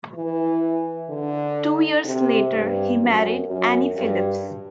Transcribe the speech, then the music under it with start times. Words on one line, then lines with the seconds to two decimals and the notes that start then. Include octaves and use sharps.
Two years later, he married Annie Phillips.
0.14 E3
1.09 D3
2.05 C3
2.52 G2
3.00 F#2
3.47 F#2
3.95 G2